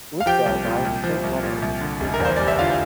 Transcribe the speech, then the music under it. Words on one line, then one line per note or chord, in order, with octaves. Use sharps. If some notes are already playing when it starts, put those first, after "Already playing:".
Lithgow died in Saint Leonards, New South Wales.
F5
F3 G4 G5
C2
A#2
C2
F3
C2
A#2
C2
D3
F1
A#4
E2
C5
G3 D5
E5
D3 F4 F5